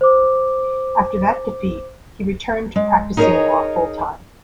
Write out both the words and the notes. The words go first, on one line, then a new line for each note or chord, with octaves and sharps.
After that defeat, he returned to practicing law full-time.
C5 D6
G#3
D#4 G#4 A#4 B4 C#5 D#5